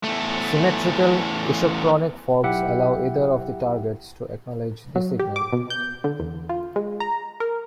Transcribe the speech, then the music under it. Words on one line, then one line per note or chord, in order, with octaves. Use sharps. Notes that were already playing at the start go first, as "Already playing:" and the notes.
Symmetrical isochronic forks allow either of the targets to acknowledge the signal.
E2 A3
B1 E4 G4 E5 F#5
F#3
G4
D6
B2
G6
D3
E2
F4
G#3
A#5
A#4